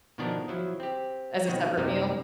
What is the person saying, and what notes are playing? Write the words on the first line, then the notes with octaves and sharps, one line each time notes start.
As a separate meal?
B2 D#3 F3 B3 D4 A#4
F3 F#3 E4
C4 G4
B2 D#3 B3 C4 F#4
F#2 C3 G3 A#3 D#4